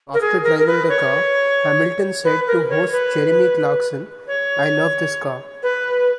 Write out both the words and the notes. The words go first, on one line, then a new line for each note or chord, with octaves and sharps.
After driving the car, Hamilton said to host Jeremy Clarkson I love this car.
A#4
G#4
A#4
A#4
B4
C#5
B4
A#4
C#5
B4
C#5
B4